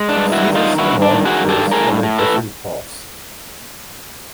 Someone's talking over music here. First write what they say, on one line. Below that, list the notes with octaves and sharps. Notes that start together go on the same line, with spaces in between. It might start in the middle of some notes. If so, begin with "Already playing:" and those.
Caesar's commanders followed different paths.
Already playing: G#3
D4
G2
E4 F#4
D#3
D#4 F4
G2 E4 F#4
D4
D#3
F#4 G#4
G2
G4 A4
A2 G#4 A#4
A2
A4 B4